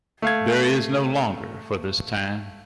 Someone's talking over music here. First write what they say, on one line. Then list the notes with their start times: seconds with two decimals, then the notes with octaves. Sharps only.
There is no longer for this time.
0.22 A3 F5 G#6